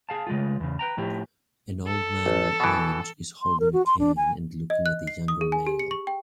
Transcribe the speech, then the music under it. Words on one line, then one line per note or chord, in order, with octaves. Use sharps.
An old man in orange is holding a cane and looking at a younger male.
G#4 F5 A5
C#3 G#3 A3 F4
E2 C#3
B4 G5 A#5
A2 F3 E4 G4
A4
A1
B2 E3
C6
A#4
F#4
C6
D4
G#5
D#5
F#6
C7
D#6
G#4
G#5
G4
C#7
C#6
G5